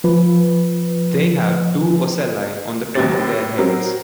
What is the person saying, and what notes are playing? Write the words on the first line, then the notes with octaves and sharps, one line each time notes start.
They have two ocelli on the top of their heads.
F3 B4
D#2 F#3 A6
A2
F#3 C4 A#4